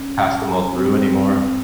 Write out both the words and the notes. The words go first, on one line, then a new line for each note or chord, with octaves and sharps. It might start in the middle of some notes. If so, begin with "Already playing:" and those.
pass them all through anymore.
Already playing: C#4
C#4
C4